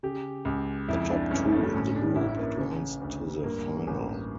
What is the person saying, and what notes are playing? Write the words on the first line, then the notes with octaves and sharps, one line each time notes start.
The top two in the group advanced to the final.
C#3 G4
C#2
F2 E4
D4
G1 C#4
A3
A2 C#4
D4
A1 E4
A#3
C#3
D2
G2 A#3
A1